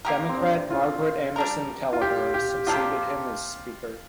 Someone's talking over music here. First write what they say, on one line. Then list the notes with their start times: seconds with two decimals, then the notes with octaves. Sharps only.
Democrat Margaret Anderson Kelliher succeeded him as Speaker.
0.05 A#3 G4 A#4
0.29 C4
0.37 D4
0.71 F4
1.36 G3 D4 A#4
1.93 F4
2.02 G4
2.34 G4
2.67 C3 A#3 D4 F4 G4